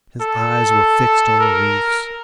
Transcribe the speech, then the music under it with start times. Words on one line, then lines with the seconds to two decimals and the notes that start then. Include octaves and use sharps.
His eyes were fixed on the roofs.
0.21 A4
1.40 A#4